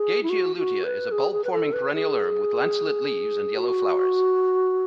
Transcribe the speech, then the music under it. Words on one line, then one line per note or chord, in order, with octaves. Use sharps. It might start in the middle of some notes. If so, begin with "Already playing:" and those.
"Gagea lutea" is a bulb-forming perennial herb with lanceolate leaves and yellow flowers.
Already playing: G#4
E4
F#4
F#4
B4
G#4
G#4
B4
A4
B4
G#4
F#4